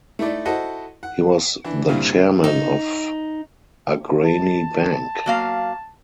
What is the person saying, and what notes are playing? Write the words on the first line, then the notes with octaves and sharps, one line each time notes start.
He was the chairman of Agrani Bank.
A3 D#4 E4 D5
E4 F#4 A4 C5 D#5 F#5
F#5
E3 D4
C2 G2 A#2 D3 E4 F5
D#4
A5
F#3 A#3 F5